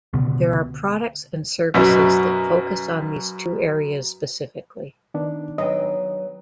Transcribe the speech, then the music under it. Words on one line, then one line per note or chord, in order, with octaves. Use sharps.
There are products and services that focus on these two areas specifically.
C#2 B2 D3 B3
F#2 B2
D#3 B3 D4
F#3 B4 D#5 G5